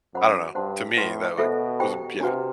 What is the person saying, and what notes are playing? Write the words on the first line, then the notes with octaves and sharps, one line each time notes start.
I don't know, to me, that, like, was b yeah.
F#2 C5 F#5 B5
G2 C5 F#5 A5 C6
A2 B4 F#5 C6
B2 A4 C5 E5 B5
G4 C5 G5 B5
C3 D4 F#4 B4 F#5